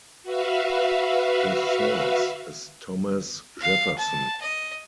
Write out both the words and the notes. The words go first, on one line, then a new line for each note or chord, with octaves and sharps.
The source is Thomas Jefferson.
F#4 B4 E5 F5
F5
A5
D#5